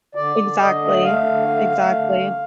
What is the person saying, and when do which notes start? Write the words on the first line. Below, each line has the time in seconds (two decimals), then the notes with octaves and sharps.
exactly, exactly.
0.15 D3 D5
0.37 D3
0.59 D3 D#5
0.82 A3
0.98 D#5
1.03 A3 F5
1.25 D3
1.48 A3
1.69 A3
1.91 D3
2.14 D3